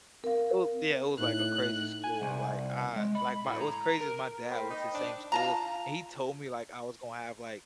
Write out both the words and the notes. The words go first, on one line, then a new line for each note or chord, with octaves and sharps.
it was Yeah, it was, like, a crazy school. Like, I like, my what's crazy is my dad went to same school, and he told me, like, I was gonna have, like,
C4 A#4 F5
A2 D#4 F#6
G#5
C2
G#3
B5
A2
A#5
A#4
A#3 C5 G5 B5
D#4
D4
F4 A5 A#5